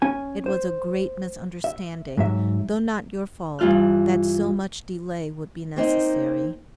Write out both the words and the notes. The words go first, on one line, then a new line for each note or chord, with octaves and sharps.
It was a great misunderstanding, though not your fault, that so much delay would be necessary.
C#4 G#5
C5
E5
G#2 F#3 E5
G2 E3 F4 F6 F#6
A#3 C4 D#4